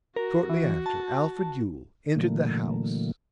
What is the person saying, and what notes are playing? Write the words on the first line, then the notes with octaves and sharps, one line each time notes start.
Shortly after, Alfred Yule entered the house.
F#4 A#4
E3
A5
A#2 D3 E3 F#3 A3 A#3